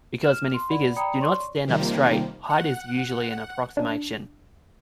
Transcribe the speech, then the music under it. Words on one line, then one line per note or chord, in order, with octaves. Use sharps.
Because many figures do not stand up straight, height is usually an approximation.
F6 E7
C6
D5 F#5 B5
D5 G5 A#5 B5 D#6 C#7
C#5 D5 C6 C#6
C3 D#3 F3 G3 A#3
F#5
D4